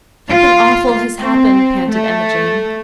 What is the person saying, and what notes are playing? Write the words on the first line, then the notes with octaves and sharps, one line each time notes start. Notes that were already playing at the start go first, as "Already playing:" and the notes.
"Something awful has happened," panted Emma Jane.
F4
C4
A3